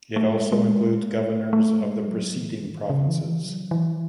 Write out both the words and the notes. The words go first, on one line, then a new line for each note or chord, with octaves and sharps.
It also includes governors of the preceding provinces.
A3
G#3
A3
G#3
A3
A3
G#3
F#3
E3
D#3
C#3
E3
D#3
E3
F#3
E3